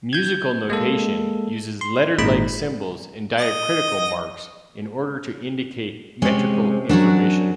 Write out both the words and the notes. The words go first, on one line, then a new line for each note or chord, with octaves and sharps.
Musical notation uses letter-like symbols and diacritical marks in order to indicate metrical information.
G6 G#6
G#3 A#3 A4
C6
G#1 A#2 G#3 D#4 B5
D#5
C3 G#3 C#4
F#2 F#3 D4 F#4